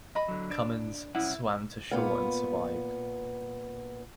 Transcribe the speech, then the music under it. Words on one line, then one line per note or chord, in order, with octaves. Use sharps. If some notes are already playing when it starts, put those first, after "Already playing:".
Cummins swam to shore and survived.
D#5 B5
D3 F#3
D4
C2 C#4 E4 F#5
A#2 B3 F5